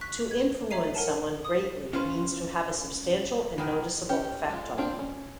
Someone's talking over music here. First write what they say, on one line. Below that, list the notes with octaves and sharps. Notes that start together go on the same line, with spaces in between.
To influence someone greatly means to have a substantial and noticeable effect on them.
C#6 F#6 B6
G#6
A4 C#5 E5 A#5 C7 D#7
A#4 F#5 G#5 A5
D#6
C#4 F4 B4 C5
B1 D#3 E3
C#4 G4
G#3 F4
C4 D4 F4 D5
C#4